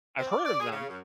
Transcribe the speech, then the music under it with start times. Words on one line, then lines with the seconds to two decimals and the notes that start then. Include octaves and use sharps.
I've heard of them
0.19 C4
0.31 D5
0.45 D5
0.60 G#4
0.72 C#3
0.89 F#2